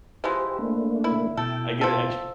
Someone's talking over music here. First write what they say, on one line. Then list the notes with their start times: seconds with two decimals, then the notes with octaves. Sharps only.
Mhm, I get it extr
0.24 E3 F3 G#3 G4 C5
0.59 A3 A#3 D4
1.04 E4
1.37 B2 E4 A4 G5
1.81 F3 A4